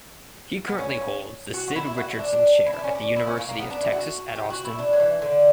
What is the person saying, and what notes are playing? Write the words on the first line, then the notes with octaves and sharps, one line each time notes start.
He currently holds the Sid Richardson Chair at the University of Texas at Austin.
B3
C#4
F#4
F#4
E4
E4
F#4
E4
D4
D4
E4
D4
B3
C#4
D4
E4
C#4
A#3
A#3
B3
D4
E4
F#4
G4
F#4
E4
D4
F#3
E3
D3